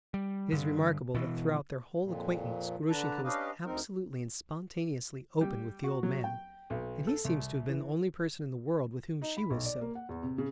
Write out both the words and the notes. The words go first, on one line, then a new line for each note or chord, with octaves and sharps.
It is remarkable that throughout their whole acquaintance Grushenka was absolutely and spontaneously open with the old man, and he seems to have been the only person in the world with whom she was so.
G3
G2 D3
B2 E3
F2 A#2
D3 D4 B4 A5 A#5
C#4 D4 G4 B4 D#5 F5
D2 C4 D#4 A#4
G3
F#4
F#3
G5
B1
A4
C2
E3
D#4
B5
B1
D5
A#3
F#5
E2
C3
C#3